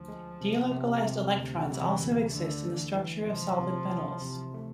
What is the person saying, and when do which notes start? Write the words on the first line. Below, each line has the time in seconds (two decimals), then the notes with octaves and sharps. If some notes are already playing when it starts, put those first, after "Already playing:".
Delocalized electrons also exist in the structure of solid metals.
Already playing: D2 F3
0.08 G#3
0.41 C3
0.72 C3
1.04 C3
1.36 D2
1.67 C3 E3
2.00 D2
2.31 D3 A3
2.63 E3
2.95 E3
3.26 C3 F3
3.59 C3
3.90 E4
4.21 C3
4.54 A3